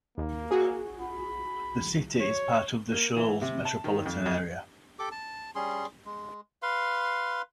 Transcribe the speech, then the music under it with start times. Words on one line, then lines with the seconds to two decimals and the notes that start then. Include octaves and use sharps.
The city is part of The Shoals metropolitan area.
0.18 D#2 A#3
0.51 F#4 G#4
1.01 B5
2.20 C#5
2.92 A#3
3.17 E3
3.42 C3
3.65 A5
3.84 D#3
4.06 F2
4.26 F2
4.99 G4 A4 D6
5.12 A5
5.55 G3 C#4 G#4 C6
6.05 G#3
6.62 B4 F5 C6